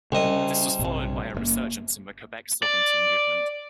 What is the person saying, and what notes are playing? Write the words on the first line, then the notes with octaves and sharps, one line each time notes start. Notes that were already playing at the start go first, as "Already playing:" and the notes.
This was followed by a resurgence in the Quebec sovereignty movement.
C2 C#3 D#5
A#1 G2 C3
F#1 C#3 A#3
D5